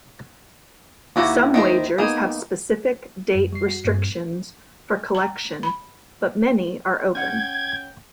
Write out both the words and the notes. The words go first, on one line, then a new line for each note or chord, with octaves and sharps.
Some wagers have specific date restrictions for collection, but many are open.
D#2 A#3 E4 F#4 G4 A#5
D#3 A#4 C5
A#3 B3 D#4 G#4
F#2
G3 C7
F#4
G2 A#2 G3 C4
A#5
B5
C#4 F#5 G5 G#6